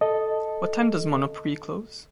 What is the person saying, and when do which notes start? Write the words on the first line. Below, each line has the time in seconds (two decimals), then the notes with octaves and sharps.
What time does Monoprix close?
0.01 A4 D#5